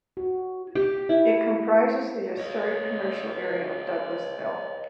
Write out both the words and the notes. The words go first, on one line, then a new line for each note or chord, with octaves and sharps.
It comprises the historic commercial area of Douglasville.
F#4
G4
E4
C#5 D#5